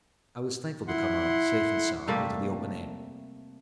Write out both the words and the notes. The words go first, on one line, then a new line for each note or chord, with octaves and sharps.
I was thankful to come out, safe and sound, into the open air.
E4 F#5 C6
C3 G3 A3 A#3